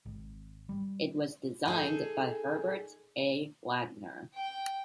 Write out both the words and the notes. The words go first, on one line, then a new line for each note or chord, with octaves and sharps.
It was designed by Herbert A. Wagner.
G#1
G3
D#4 G#4 A4
G5